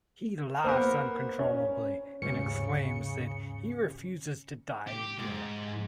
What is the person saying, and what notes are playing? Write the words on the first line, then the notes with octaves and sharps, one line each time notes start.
He laughs uncontrollably, and exclaims that he refuses to die again.
A#3 B3 A#4 C5
C#4
D#2 G#2 C#3 C#4 C#7
G4
G#2